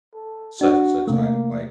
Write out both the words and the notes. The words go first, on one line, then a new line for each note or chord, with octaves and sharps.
such and such item," like,
A4
D4 F#4
C3 A3 A#3